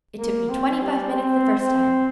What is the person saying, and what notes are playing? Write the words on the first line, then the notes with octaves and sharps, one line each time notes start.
It took me twenty-five minutes the first time.
A#3
C4
G3
C4
C4